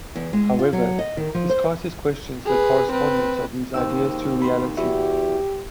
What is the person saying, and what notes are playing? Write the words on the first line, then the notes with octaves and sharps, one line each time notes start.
However, Descartes questions the correspondence of these ideas to reality.
E2
G#3
F4
F#3
D#5
D#3
F3
C5
G#4 B4
C4 B4
D#2 C5 G5 E6
B5 C6
E2 E4 F#4 G4 E5